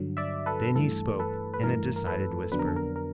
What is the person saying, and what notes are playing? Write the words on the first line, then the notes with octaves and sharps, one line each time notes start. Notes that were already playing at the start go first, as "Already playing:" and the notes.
Then he spoke in a decided whisper.
Already playing: G2 D3 F#3
D5 E5
A4 B4
G2 E3 A3 A4
A4 B4
B4
G2 E3 A3 A#4
A#4
A4 B4
F2 D3 F#3 B3 D4 B4
A#4
A4
A#4
A#4